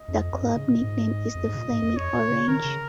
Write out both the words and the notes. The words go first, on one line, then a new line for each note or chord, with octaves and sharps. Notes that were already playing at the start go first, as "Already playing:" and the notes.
The club nickname is the flaming orange.
Already playing: D#5
F2
F2
G#2
C#3
A#2
G#2
F2
G#2
C#3
A#2
G#2
F2
F2 C#5
A#2
C#3
D#3 A#4
C#3